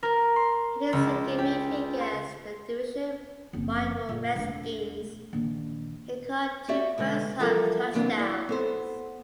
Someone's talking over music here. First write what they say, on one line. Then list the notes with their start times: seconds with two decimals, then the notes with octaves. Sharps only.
In his second meeting against the division-rival Redskins, he caught two first half touchdowns.
0.03 A#4
0.36 C6
0.93 C#2
1.38 G4
2.01 C6
3.53 F#1 F2
4.09 A#2
4.36 E1 A3
5.33 A#1 D#3
6.68 F#4 G4 D5 E5
6.98 B2 D3 G#3
7.39 E3 F3 G3 A4 A#4
7.93 C3 E3 F#3 A#3 B3 D4
8.18 E4 D5
8.49 B3 A4 C5